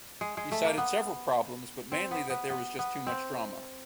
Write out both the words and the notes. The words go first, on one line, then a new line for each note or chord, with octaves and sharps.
He cited several problems but mainly that there was just too much drama.
G#3
G#3
A3
A#3
B3
C4
B3
B3
B3
B3
C4